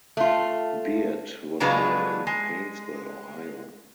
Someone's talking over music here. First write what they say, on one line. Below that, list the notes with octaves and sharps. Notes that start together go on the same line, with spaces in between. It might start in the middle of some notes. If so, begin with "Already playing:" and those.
Beard was born in Painesville, Ohio.
A3 F4
C#3 F#3 G#3 D4 F4 B4
G#3